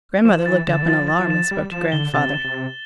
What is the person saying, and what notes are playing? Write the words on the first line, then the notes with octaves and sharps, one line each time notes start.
Grandmother looked up in alarm and spoke to grandfather.
F3 E7
F3
E3 A6
D3 E7
E3
F3 A6
A6
F3
E7
G3 A6
F3 E7
D3 G7
C3 A6
E7
C3
A6